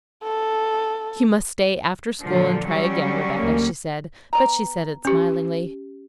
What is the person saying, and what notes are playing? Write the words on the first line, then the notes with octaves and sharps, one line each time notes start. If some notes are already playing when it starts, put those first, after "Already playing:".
"You must stay after school and try again, Rebecca," she said, but she said it smilingly.
A4
A#2 D3 F3
F#3 G3 C#4
D2 A#3
B3 D5 A#5
C#4 G4